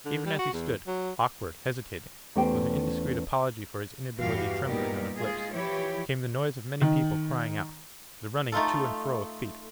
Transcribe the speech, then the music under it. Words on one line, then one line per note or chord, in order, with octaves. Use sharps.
Even as he stood, awkward, hesitating, with an indiscreet apology for his inability trembling on his lips, came the noise of many people crying out, the running to and fro of feet.
D3
G3
F#4
E2
F#3
E2 A3 C#4 G4 C5 G5
E2 G2 E3 F#4 G4 F5
A#2 G3 B3 D#4 G4 A#4
G#3 D#4 F4 G#4
E3 F3 E4 G4 C#5
D#3
A3 D#4 F4 A4